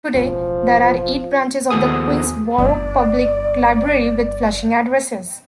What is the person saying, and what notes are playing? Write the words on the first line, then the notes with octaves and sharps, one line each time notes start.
Today, there are eight branches of the Queens Borough Public Library with Flushing addresses.
E1 A1 F3
D#2 F3 B3 G#4 A4 D#6
G1 G2 D5